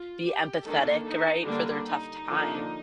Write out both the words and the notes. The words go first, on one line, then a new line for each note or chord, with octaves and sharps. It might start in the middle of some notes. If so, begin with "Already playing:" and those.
be empathetic, right, for their tough time.
Already playing: F4
G4
D#3 A#3 D4 A4
D#4
D3 G3 A#3 D4
D#4
D3 F3 A#3 D4